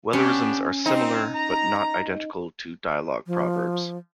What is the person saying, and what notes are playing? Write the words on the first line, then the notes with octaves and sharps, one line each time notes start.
Wellerisms are similar but not identical to dialogue proverbs.
B3 C#4 D4 G4
C4 D#4
A#5
F3